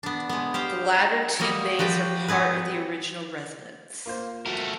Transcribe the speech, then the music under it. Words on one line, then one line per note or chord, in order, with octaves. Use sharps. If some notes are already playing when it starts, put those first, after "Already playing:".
The latter two bays are part of the original residence.
B3 D4
G#3 B3
G4 C5 F5 G5
F#3 G3 A#3 D#5
F3 F#4 B4 D5 G5
G#3 C4 G#4 B4
A#3 F4 C5
A3 F#4 A#4